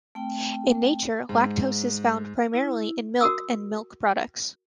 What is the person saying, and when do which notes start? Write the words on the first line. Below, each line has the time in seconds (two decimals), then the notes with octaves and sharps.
In nature, lactose is found primarily in milk and milk products.
0.15 A3 C4 G5
1.29 G#2
2.53 E4
3.21 F#4 A#4 D#6 E6